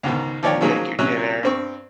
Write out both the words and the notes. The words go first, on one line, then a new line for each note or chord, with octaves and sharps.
you make your dinner,
C#2 G#2 B2 D#3
D#2 F3 C#5 D5 G5
D#3 F3 F#3 G#3 A#3 C#4
C3 F#3 C#4 F#6
G2 C4 C#6